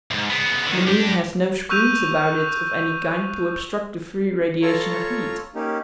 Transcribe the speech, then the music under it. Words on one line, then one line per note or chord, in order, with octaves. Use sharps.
The moon has no screens about it of any kind to obstruct the free radiation of heat.
C2 G#2
C#3 B3
D3 D#3
D4 G4
C#6 E6 F#6 G6 D#7 F7
F4 A4 C#5 A#5 C#6
A#3 C#4 D#4 G4